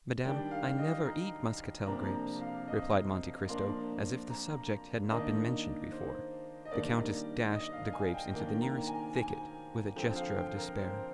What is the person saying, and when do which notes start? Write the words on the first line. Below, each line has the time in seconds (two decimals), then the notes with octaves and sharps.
"Madame, I never eat Muscatel grapes," replied Monte Cristo, as if the subject had not been mentioned before. The countess dashed the grapes into the nearest thicket, with a gesture of despair.
0.24 D#3 G3 D4 G5
0.51 F5
0.78 D#5
1.06 A#5
1.86 C3 F3 A#3 D4 A#5
2.13 A#5
2.41 F5
2.68 D#5
3.49 F3 A#3 D4 C6
4.30 A#5
5.10 D#3 A#3 D4 D#5
5.92 C5
6.65 D#5
6.71 D#3 G3 A#3 D4 D5
7.52 D#5
7.73 F5
7.93 G#5
8.14 G5
8.33 D#3 A#3 D4 G5
8.61 A#5
8.87 G#5
9.15 G#5
9.96 D3 F3 C4 G5
10.15 F5
10.37 G5
10.56 A#4
10.76 C5